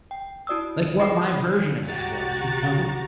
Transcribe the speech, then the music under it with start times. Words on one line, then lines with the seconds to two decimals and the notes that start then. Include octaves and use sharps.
Like, what my version of that was, you know?
0.11 G5
0.47 E4 F#4 D5 D#6 E6
0.99 G4 G#4 G5 B5 D6 C7
1.86 C2 F#4 G4 A#5 A6